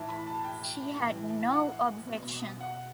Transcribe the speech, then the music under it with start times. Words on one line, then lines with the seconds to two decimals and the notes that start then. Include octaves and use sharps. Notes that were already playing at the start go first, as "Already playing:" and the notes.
She had no objection.
Already playing: A2 E3 A5
0.09 B5
0.26 A5
0.44 G5
0.98 A2 E3
1.53 F#5
2.07 B2
2.61 F#5